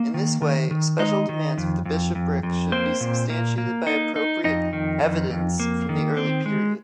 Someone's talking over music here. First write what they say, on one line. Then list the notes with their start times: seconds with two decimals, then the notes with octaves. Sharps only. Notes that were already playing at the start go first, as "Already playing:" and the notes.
In this way, special demands of the bishopric should be substantiated by appropriate “evidence” from the early period.
Already playing: A#3
0.14 D#3
0.42 D#3
0.71 D#3
0.99 G#3 D#4 D#5
1.29 D#3
1.58 F2
1.85 F2
2.15 F2
2.43 F2
2.72 A#3 C4 C5
3.01 A#2
3.30 A#3
3.58 A#3
3.87 D#4
4.16 D#4
4.44 F2 D#4 D#5
4.73 D#3
5.02 F2
5.30 F2
5.60 A#3
5.89 D#3
6.17 C4
6.46 G#3